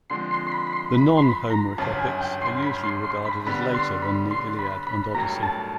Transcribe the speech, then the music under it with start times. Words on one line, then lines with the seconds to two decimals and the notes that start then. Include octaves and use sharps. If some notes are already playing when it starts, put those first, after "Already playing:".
The non-Homeric epics are usually regarded as later than the "Iliad" and "Odyssey".
0.10 D3 F3 G#3 C4 C6
0.31 C6
0.47 C6
0.52 B5
0.67 B5
0.73 C6
0.94 B5
1.17 C6
1.22 B5
1.50 A#5
1.78 G1 F#2 C#3 A5
1.99 G#5
2.21 G5
2.42 C6
2.63 B5
2.83 C6
3.04 C6
3.25 B5
3.46 D3 G3 B3 B5
3.75 C6
4.02 B5
4.31 C6
4.59 B5
4.87 B5
5.15 A1 G2 D#3 F#3 A3 A#5
5.43 A5